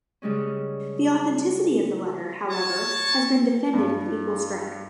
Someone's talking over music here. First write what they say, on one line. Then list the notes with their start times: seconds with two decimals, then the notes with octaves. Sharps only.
The authenticity of the letter, however, has been defended with equal strength.
0.22 C#3 G3 G#3 C#4
2.51 C#5 A5
3.74 G2